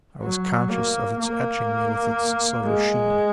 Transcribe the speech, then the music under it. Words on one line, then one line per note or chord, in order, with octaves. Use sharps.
I was conscious of its etching me with its silver sheen.
F#3
A#3
A#3
G#3